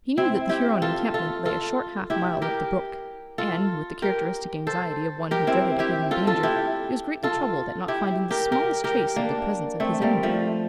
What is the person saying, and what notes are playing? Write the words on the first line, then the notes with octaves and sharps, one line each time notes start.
He knew that the Huron encampment lay a short half mile up the brook; and, with the characteristic anxiety of one who dreaded a hidden danger, he was greatly troubled at not finding the smallest trace of the presence of his enemy.
C4 E4
E4 G4
F4 A4
F4 A4
F4 A4
E4 G4
G4 A#4
F4 A4
G4 A#4
A4 C5
G4 A#4
C4 E4
E4 G4
F4 A4
F4 A4
E4 G4
F4 A4
E4 G4
G4 A#4
G4 A#4
G4 A#4
A#3 D4
A3 C4
G3 A#3
F3 A3